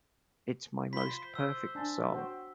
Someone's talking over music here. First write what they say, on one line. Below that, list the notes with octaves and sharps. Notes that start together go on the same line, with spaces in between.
It's my most perfect song.
F4 C5 B5 B6 G7
E6
D4 G#5 A5
F#4 C5 G5